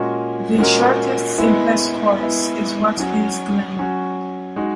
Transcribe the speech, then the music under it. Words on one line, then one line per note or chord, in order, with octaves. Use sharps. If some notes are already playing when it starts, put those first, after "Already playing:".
The shortest, simplest course is Watkins Glen.
Already playing: A#2 G#3 C#4 F#4 A#4
A#2 G#3 C#4 F#4 A#4
G#3 B3 E4
G#3 B3 E4
F#3 C#4 F#4
F#3 C#4 F#4
G#3 D#4 F#4